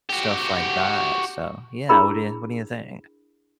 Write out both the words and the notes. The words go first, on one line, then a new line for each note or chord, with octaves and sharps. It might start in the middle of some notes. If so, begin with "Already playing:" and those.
stuff like that, so Yeah, what do you what do you think?
F#4 G4
D4 E4 G#4 A#4 B5